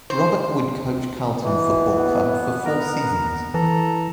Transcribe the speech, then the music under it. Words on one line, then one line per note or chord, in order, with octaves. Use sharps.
Robert would coach Carlton Football Club for four seasons.
C5
B2 E3
B3
A#4 A#5
E3 A4 A#5